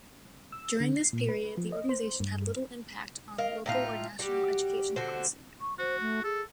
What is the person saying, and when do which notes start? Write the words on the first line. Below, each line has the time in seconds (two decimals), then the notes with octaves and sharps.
During this period, the organization had little impact on local or national education policy.
0.52 E6
0.80 D3
0.97 C7
1.13 A#2
1.29 B4
1.57 F3
1.72 D#5
1.89 C5
2.20 G2
3.38 A#4 D#5 F5
3.66 A2 D#4 F4
4.19 G3 F#4 G4
4.96 D3 F#4 C5
5.61 C#6
5.79 F#4 C5
6.01 A3
6.24 G#4 A4